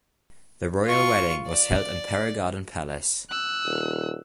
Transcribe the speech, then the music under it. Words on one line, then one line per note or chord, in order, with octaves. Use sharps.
The royal wedding was held in Paro Garden Palace.
F4 C#6
D5
E6 F#6
D#1